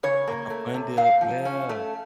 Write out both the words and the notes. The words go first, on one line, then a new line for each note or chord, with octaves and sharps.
Like a fun dip, yeah.
C#3 C#5
A#3
A3
C3
A#2 F5
F3
C#4
A3